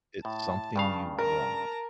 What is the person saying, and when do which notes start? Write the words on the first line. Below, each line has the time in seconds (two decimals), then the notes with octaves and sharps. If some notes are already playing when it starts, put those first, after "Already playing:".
It's something you want.
0.25 A2 A5
0.76 G2 C#3 F5
1.19 A#4 A5 A#5